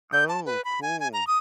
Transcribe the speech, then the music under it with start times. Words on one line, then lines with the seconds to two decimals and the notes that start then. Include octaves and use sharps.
Oh, cool.
0.13 G6
0.29 A5
0.46 B4
0.65 B5
0.83 G#5
1.00 G#5
1.13 A#5
1.27 D#6